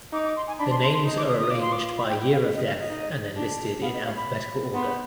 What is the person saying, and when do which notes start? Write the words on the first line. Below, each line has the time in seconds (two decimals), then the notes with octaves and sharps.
The names are arranged by year of death and then listed in alphabetical order.
0.13 D#4 D6
0.25 D6
0.37 C6
0.48 G#5
0.59 D4 B5
0.70 C6
0.83 C6
0.94 C6
1.06 D#4
1.17 D6
1.28 D#6
1.40 D#6
1.51 F4 D6
1.62 C6
1.72 D6
1.98 B5
2.09 G5
2.21 G5
2.32 F5
2.44 D#5
2.55 D#5
2.67 F5
2.79 D#5
2.90 D#4
3.37 D4
3.82 B3 F5
3.94 D#5
4.05 F5
4.17 B5
4.74 B3 C6